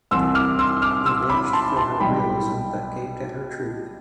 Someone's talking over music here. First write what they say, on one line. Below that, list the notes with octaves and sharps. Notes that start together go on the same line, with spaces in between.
He blushed for her realism, but gaped at her truth.
C2 C3 E3 C6 E6
D6 F6
C6 E6
D6 F6
C6 E6
B5 D6
A5 C6
A5 C6
B1 B2 G3 G5 B5